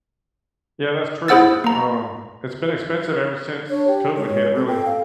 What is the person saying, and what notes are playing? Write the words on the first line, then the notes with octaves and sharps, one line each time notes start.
Yeah, that's true. Um, it's been expensive ever since COVID hit, really.
E4 G#4 C5 F#5 E6 A6
A#3 A#5
D4 C#5
G4
G#3 C#5
C4 A4
G5
F5